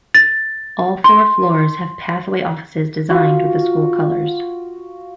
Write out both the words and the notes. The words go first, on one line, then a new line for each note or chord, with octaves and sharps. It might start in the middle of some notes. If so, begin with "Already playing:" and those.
All four floors have pathway offices designed with the school colors.
A6
C6
F4 F#4